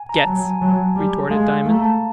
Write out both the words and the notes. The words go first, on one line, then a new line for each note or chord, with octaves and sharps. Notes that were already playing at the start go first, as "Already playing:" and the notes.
"Gets!" retorted Diamond.
Already playing: G#5
A#5
A5
F#3
G#5
G#5
F#3 A5
G3
G#3 F5
A3
A#5
A5